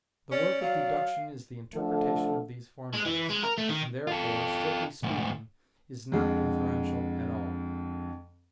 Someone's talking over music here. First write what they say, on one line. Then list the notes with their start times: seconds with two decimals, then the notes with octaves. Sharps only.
The work of deduction is the interpretation of these formulas, and therefore, strictly speaking, is not inferential at all.
0.32 C#4 D5
0.62 F#3 F5
1.74 D3 F3 A3 A4
2.94 G#3
3.06 E3
3.30 G#3
3.44 A#4
3.58 A3
3.69 D#3
4.07 F4 A4
5.03 D2 G#2
6.12 F2 D3 G#3